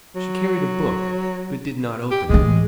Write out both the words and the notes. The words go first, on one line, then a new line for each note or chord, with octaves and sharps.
She carried a book, but did not open it.
F#3
G4
A2 E3 G#3